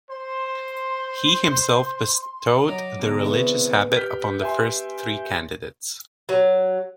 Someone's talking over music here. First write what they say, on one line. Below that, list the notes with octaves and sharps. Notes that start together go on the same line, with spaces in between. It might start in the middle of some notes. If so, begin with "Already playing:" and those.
He himself bestowed the religious habit upon the first three candidates.
C5 C6
F#3 D#5 A#5 D6
B2 D3 G#3
B3 C4 E4 C#6
G4 G5 F6 G6 B6
E5 G#5 C6
F#3